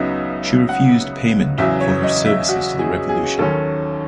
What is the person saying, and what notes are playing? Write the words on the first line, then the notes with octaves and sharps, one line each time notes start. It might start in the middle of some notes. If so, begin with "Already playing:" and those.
She refused payment for her services to the revolution.
Already playing: C#2 C#3 F#3 B3 D#4 E5
F#5
E2 C#3 F#3 E5
C#5
D#5
E5
F#4
G#4
G#4
D#2 D#3 F#3 C#4 A4